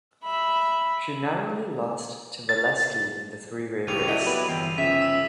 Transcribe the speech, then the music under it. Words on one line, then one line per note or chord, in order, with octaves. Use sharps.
She narrowly lost to Valesky in the three-way race.
E5 B5
A6
C#2 A2 C4 C#4 G4 D#7 F7
F#3 E4 A4 D5 D#5 F#5 G5 D#7
B3 E4 G4 B4
G1 E2 G5 C7
C#3 F3 E5 B6
E6